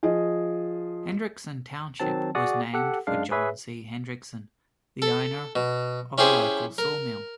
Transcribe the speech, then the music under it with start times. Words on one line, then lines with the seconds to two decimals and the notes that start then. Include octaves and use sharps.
Hendrickson Township was named for John C. Hendrickson, the owner of a local sawmill.
0.03 F3 G#4 D#5
2.00 D#3 F#3 C4 A5
2.35 F#4 G#4 D5 F#5 D#6
2.73 G4 A4 F#5
3.07 F#2 G#3 D4 F5
3.32 G#4 B4 C#5 E5
5.02 A4
5.56 B2
6.18 C#4 E4 G4 G#4 C5
6.78 A#4